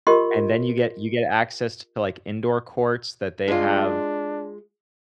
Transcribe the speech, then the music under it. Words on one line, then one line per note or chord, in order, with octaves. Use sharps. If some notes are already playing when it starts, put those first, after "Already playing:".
and then you get you get access to, like, indoor courts that they have,
F4 G4 A#4 D#5 C6
G#3 D4 F4